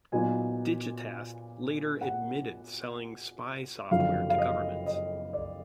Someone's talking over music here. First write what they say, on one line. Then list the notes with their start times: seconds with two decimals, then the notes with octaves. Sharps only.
DigiTask later admitted selling spy software to governments.
0.12 A#2 F#3 B3 D#4 G#5
2.01 F#5
3.91 F#1 F2 D3 F#3 F5
4.30 F5
4.38 D#5
4.86 D#5
5.33 D5